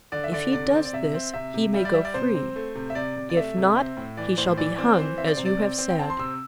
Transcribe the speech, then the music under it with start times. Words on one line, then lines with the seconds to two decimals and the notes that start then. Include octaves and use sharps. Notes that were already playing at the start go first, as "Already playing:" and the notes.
If he does this he may go free; if not he shall be hung as you have said.'
0.12 D3 D5
0.24 E5
0.32 D3 D5
0.52 C3 D5
0.73 C4
0.85 D5
0.93 C3 E5
1.14 C4
1.34 C3 E5
1.54 C3
1.74 G3 E5
1.85 D5
1.94 G3 E5
2.05 D5
2.14 C3 C5
2.35 C4
2.56 A3
2.75 C3
2.90 E5
2.95 C3 D5
3.16 C3
3.30 D5
3.36 A3 E5
3.57 C3
3.76 C4
3.97 A2
4.17 E3 D5
4.38 A2 C5
4.57 E3 D5
4.78 C4
4.99 E3 C5
5.18 C4 E5
5.27 D5
5.37 C3 C5
5.45 D5
5.59 C4
5.78 C4
5.90 G5
5.99 C4 A5
6.10 C6
6.19 C3 E6